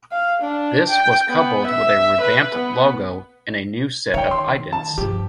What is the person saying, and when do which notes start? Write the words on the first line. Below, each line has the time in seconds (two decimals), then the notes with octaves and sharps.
This was coupled with a revamped logo and a new set of idents.
0.12 F5
0.42 D4
0.90 G5
1.28 B3
1.67 E5
2.21 B4
2.55 B3
4.14 D#3 C#5 G5
4.31 C6
4.73 A5
4.98 G2 F3 G4